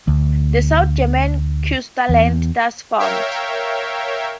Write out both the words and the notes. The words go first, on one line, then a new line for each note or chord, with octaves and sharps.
The South German Cuesta Land thus formed.
D2
E2
A#4 C#5 E5 F5 G5